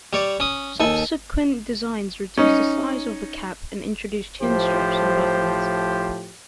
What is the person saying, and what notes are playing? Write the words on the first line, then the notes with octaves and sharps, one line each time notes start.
Subsequent designs reduced the size of the cap and introduced chinstraps and buttons.
G3 C#5 D5
C#4 D#6
D#2 A4 G#5
C#4 D#4
A2 F3 G4 C5